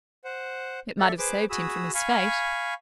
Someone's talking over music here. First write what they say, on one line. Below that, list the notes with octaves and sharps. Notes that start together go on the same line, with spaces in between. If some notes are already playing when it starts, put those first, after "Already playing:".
"It might have saved him from his fate."
C5 F#5
A4 D5 E5
G#4 B4 C5 D6
F#4 G#4 B5 D#6 E6
F5 G#5 B5 C#6